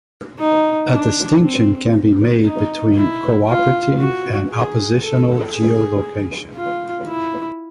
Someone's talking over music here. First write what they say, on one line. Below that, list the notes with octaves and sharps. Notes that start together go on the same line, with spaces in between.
A distinction can be made between "co-operative" and "oppositional" geolocation.
D#4
D4
C4
D#4
E4
F4
F#4
G#4
A4
G#4
F4
E4